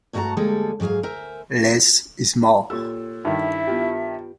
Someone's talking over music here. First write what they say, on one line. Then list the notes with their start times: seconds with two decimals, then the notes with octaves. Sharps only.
Less is more.
0.13 G2 A3 F#4 F#5 A5 A#5
0.37 D2 G3 G#3 A#3 G#4 A4
0.80 G#2 F#3 G#4 F5
1.03 A#4 C5 E5 G#5
2.70 A#2 G4 A4 C#5 E6
3.25 G2 D#3 E4 E5
3.67 B3 F4 G4